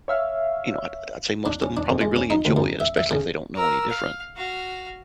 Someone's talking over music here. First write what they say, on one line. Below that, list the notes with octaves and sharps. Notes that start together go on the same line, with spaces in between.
you know, I'd I'd say most of 'em probably really enjoy it, especially if they don't know any different
C#5 E5 F5
D4
C#4
D4
F2
G#3
C#4
D#4
D2
F#2
E5
E5
C#3
A#4 E6
F5
F#4 F5